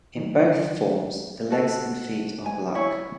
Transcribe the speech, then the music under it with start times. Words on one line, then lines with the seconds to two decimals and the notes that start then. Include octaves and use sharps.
In both forms the legs and feet are black.
0.17 D#3 F#3
1.50 F#4 A4
2.46 G#5
2.75 E4 C#5